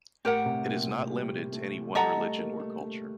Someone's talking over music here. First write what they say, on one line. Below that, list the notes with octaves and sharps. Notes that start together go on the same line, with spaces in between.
It is not limited to any one religion or culture.
A2 G4 A#4 F#5
C3
A#2
C3
G3
A3
G3 A4 D#5 F#5 A#5
A3
A#3
A3
A3